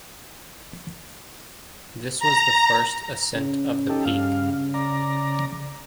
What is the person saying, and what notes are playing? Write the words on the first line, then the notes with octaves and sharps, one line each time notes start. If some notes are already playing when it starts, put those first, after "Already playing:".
This was the first ascent of the peak.
A#5
C#3
D#4 G4 A4
G2 F5
D5 A#5